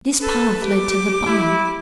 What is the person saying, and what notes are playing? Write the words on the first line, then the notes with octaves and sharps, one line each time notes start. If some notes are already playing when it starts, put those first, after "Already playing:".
This path led to the barn.
A4 B4 A5
G4 D6
E4